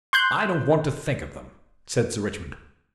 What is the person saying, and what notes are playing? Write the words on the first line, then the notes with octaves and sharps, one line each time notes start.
"I don't want to think of them," said Sir Richmond.
C6 F#6 G6